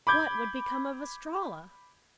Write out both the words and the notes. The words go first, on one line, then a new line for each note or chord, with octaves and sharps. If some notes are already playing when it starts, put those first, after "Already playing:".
What would become of Estralla?
B5 D6 G6 G#6